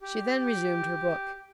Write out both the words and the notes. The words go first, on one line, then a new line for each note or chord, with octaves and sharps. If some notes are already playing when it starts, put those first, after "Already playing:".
She then resumed her book.
G4